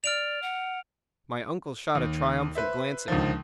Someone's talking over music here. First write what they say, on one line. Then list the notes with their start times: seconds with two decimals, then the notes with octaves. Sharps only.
My uncle shot a triumphant glance at me.
0.04 D5 F6 D7 F7
0.42 F#5
1.95 D#2
2.55 B4 C5 E5
3.08 C#2 D3 D#3 F3